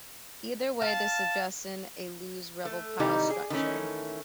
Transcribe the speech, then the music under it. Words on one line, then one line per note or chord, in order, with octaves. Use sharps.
Either way, this suggests a loose rubble pile structure.
F5 A5
A3
C3 D#3 E3 G3 D#4 G4
G#4
D#3 E3 A3 C#4